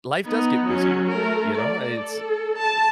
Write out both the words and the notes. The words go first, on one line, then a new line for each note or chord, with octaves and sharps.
life does get busier, you know, it's
B3 D#4
F#3 C#4
A3 A#4
D5
A4
A5